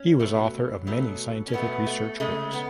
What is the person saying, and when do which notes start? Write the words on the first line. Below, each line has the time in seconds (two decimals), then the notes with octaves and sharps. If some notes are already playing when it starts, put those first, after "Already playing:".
He was author of many scientific research works.
Already playing: C#4
0.19 B2 F#3 A3
0.87 B2 F#3 A3
1.47 C#4
1.53 B2 F#3 A3 B3
1.86 A3
2.20 C#3 G#3 A3
2.53 B3